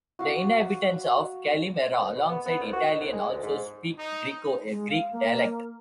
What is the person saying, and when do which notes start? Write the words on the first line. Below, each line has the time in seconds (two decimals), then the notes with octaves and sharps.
The inhabitants of Calimera, alongside Italian, also speak Griko, a Greek dialect.
0.19 F#4 F5 F#5 D6
2.00 D2
2.16 B2
2.29 B3
2.46 B3
2.60 C2
2.73 F#4
2.86 D#3
3.00 C2
3.13 G#3
3.29 D2
3.43 G#2
3.98 D#4
4.53 D#4
4.69 G#3
4.89 F5
5.12 A#3